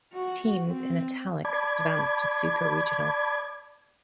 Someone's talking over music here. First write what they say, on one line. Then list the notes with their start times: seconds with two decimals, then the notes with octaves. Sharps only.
Teams in italics advanced to Super Regionals.
0.13 F#4
0.67 C4
1.45 D5 A5 B5 D6 G#6